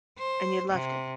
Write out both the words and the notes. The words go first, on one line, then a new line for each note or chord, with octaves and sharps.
And you loved it?
C5
C3